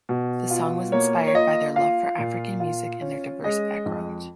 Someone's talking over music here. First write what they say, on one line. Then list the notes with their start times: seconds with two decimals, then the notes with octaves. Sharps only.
The song was inspired by their love for African music and their diverse backgrounds.
0.09 B2
0.50 F4
0.92 A#3 C#5
1.28 C#5
1.35 F4 D#5
1.76 F4 F5
2.18 A#2
2.60 F4
3.02 C#4
3.44 G#3 D#5
3.86 F2